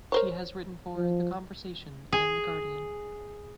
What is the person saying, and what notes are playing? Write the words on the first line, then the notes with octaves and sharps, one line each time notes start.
She has written for "The Conversation" and "The Guardian".
A#4 C5 C#5
F3
G#4